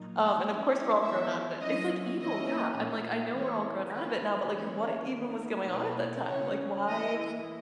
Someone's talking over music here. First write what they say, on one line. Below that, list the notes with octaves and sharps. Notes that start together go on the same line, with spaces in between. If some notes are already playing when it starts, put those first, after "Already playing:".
Um, and of course we're all grown out of it. It's like evil, yeah, I'm like, "I know we're all grown out of it now, but like, what even was going on at that time?" Like, why
Already playing: A#2 F#3 A#3 D#4
F#3 C#4 E4
E3 G#3 B3 E4 E5
F#3 C#4 E4 D#5
E3 A#3 C#4 E4 D#5
A#2 A#3 D#4
E3 G#3 B3 E4 C#5
D#3 A#3 E4 B4
E3 A#3 C#4 E4 C#5
D#3 A#3 D#4
B2 A#3 E4 B4
C#3 F#3 C#4 C#5
E3 A#3 E4 D#5